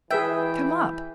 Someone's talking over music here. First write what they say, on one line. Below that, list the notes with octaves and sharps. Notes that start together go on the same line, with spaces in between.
Come up.
E3 G#4 B4 E5 G5